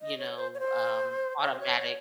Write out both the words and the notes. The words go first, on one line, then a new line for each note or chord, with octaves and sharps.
you know, um, automatic
D#5
C#5
C5
C#5
C5
C#5
C5
C#5
C#5